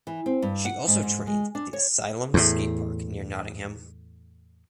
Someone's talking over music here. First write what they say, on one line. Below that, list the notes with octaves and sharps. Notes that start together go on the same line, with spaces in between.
She also trains at the Asylum skate park near Nottingham.
E3
C4
G2
F#5
G#2
G#2
G#3
D4
C#5
E2 A2